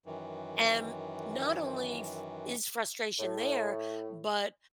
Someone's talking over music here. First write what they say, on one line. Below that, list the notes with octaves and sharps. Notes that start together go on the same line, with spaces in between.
And not only f is frustration there, but
F#2 D#3 E3
A2